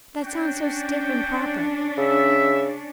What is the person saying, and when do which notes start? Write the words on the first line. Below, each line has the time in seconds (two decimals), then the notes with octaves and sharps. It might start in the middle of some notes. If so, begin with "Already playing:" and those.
That sounds so stiff and proper.
0.23 C#4 D4 F#4 G5
1.98 C#3 E5